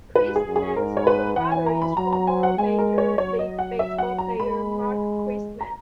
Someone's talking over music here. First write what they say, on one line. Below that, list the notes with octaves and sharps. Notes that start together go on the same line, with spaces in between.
Christman's older brother is former Major League Baseball player Mark Christman.
G#2 B4
G#4
F#2
G#4
G#2 A#4
C#5
B4
E3 F#5
G#5
A#5
B5
F#3 A#5
A#5
G#5
F#5
G#3 G#5
A#4
C#5
F#3 C#5
D#5
F#5
E5
F#5
A#5
G#3 B5
A#5